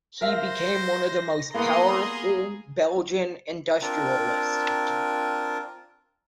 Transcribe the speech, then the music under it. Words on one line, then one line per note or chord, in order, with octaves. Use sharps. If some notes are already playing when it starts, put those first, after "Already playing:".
He became one of the most powerful Belgian industrialists.
A#4 C5 E5 F5 A#6
A#3 B3 E4 G#4 A#5 C6 D#6
C4 D4 F4 A#4